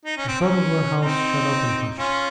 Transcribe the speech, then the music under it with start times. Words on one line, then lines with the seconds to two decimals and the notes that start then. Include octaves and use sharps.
I thought of our house shut up and hushed.
0.05 D#4
0.17 C#4
0.28 C4
0.41 C#4
1.02 C4 D#4
1.98 C#4 F4